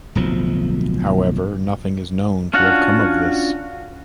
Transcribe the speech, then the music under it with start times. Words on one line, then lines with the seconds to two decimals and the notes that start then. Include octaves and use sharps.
However, nothing is known to have come of this.
0.15 D1 B1 F3
2.54 C#4 D4 F4 F#4 F#5